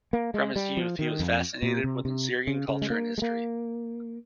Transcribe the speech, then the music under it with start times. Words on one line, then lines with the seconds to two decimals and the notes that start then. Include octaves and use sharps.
From his youth, he was fascinated with Assyrian culture and history.
0.13 A#3
0.34 G#3
0.56 G3
0.77 F3
0.99 D#3
1.20 F2
1.63 A#2
1.84 C3
2.05 C3
2.47 C#3
2.69 C#3
2.82 G#3
2.90 A#3
3.18 G#3
3.22 A#3